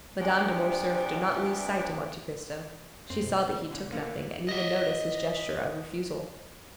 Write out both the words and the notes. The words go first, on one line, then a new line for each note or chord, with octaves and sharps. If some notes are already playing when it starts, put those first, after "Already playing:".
Madame de Morcerf did not lose sight of Monte Cristo; she saw that he took nothing, and even noticed his gesture of refusal.
E2 C3 B3 D4
F#2 C4
B2
E2 D3
D3 A#3 B3
D#5 E5